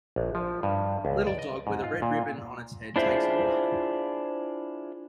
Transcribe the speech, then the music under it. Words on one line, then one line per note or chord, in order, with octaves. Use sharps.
A little dog with a red ribbon on its head takes a walk.
A#1
F3
G2
C#2
D5
D#5
G#2
F4
A#2
D4 E4 F4 G#4 C5 E5